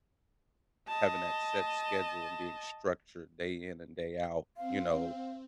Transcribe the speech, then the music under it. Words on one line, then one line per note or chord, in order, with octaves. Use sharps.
Having that set schedule and being structured day in and day out, you know,
D#5 A5
C4 F5